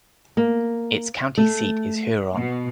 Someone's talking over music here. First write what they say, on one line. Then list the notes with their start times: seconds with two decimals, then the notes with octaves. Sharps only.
Its county seat is Huron.
0.37 A#3
1.38 A3
2.34 B2